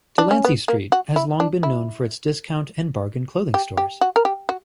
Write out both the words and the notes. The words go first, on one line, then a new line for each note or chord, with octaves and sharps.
Delancey Street has long been known for its discount and bargain clothing stores.
D4
C#4
B3
A#3
F#4
E4
D4
E4
G4
G4
F#4
A#4
G4
F#4